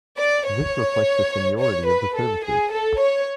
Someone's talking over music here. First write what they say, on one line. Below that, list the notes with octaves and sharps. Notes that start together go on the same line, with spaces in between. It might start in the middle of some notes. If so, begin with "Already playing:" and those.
This reflects the seniority of the services.
D5
C#5
C#5
B4
A4
G#4
A4
C#5